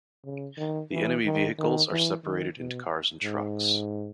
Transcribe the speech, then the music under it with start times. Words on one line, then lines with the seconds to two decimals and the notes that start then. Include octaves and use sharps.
The enemy vehicles are separated into cars and trucks.
0.24 C#3
0.58 D#3
0.92 E3
1.25 D#3
1.58 D#3
1.91 E3
2.24 D#3
2.58 B2
3.23 G#2